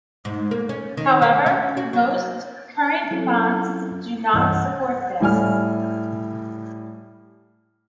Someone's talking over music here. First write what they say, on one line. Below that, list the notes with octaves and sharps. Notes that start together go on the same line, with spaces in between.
However, most current fonts do not support this.
G#2
A#3
C#4
D#3
C#4
C#4
F#4
F#3
F#3 C4 C#4 E4 F4 A4
C2 G2 E3 C#4 D#5 F#5
A2 G3 G#5 F6